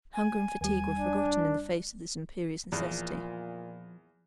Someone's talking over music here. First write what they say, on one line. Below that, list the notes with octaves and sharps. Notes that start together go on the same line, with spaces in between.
Hunger and fatigue were forgotten in the face of this imperious necessity.
G#5
D#2 G3 G#5
D4
E2 A#2 F3